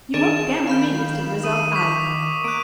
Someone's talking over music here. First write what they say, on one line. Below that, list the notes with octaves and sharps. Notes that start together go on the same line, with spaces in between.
You won't gammon me as to the result, either.
D#3 D4 G#4 E7
F5 B5 G6
D#6 D#7
C#6 D6 B6
A#3 F#6 D7